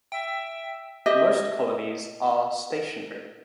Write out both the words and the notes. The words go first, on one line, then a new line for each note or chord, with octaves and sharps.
Most colonies are stationary.
E5 G5
G4 D#5 E5